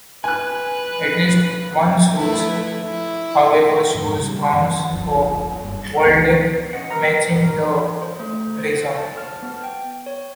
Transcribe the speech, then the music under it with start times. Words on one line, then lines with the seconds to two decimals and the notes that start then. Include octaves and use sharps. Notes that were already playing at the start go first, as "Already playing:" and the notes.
At least one source, however, shows arms for Waldeck matching the blazon.
0.24 B4 G#5 F#6
2.13 F3 A3 E4 B4
2.82 E4
3.95 F2 G#2
4.20 C#3 F3 G3
4.53 F#2 D3 F3
4.93 F1 C2 G2 F3
5.64 F#1 G2
6.05 C#2 B3
6.73 C#4 D#5 F#5
6.90 F#3 A#4 B4 A#5
8.02 C5
8.20 A3
8.59 C5
8.81 C5
8.98 A5
9.17 F6
9.42 B3
9.64 G5
10.06 C#5